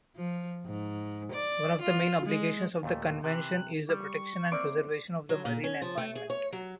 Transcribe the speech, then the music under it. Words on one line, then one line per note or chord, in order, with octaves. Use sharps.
One of the main obligations of the Convention is the protection and preservation of the marine environment.
F3
G#2
D5
F4
G#3
D#2 A#2 A3
C3 E3 F#6
G3 G5 C#6
A#3 C4 D5 E5 C6 D7
F#3
A#2
C#4
F3
A3
G#4
C#5
F#3